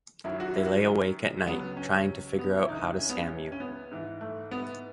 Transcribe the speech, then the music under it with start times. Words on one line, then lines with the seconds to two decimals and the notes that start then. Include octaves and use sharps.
They lay awake at night trying to figure out how to scam you.
0.24 F#2 D#3 F#3 E4
0.40 F#4
0.55 E4
0.66 F#4
1.46 C#2 C#3 F#3 B3
1.77 C#4
2.39 B3
2.58 E4
2.69 C#2 C#3 E3 D#4
2.99 C#4
3.09 B3
3.19 C#4
3.52 C#4
3.60 B3
3.91 G#2 E3
4.21 A3
4.51 B3